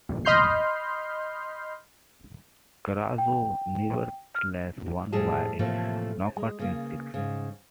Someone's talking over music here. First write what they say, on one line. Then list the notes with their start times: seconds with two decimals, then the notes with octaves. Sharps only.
Carazo nevertheless won by a knockout in six.
0.25 D#5 B5 C6 F6 G6 C7
3.18 G5
4.35 F6
5.12 F2 A2 G3 G#4 A5
5.59 A2 C3 E3 F3 A3 A#3
6.36 G#3
6.59 C#3 A#3
7.14 G#2 C#3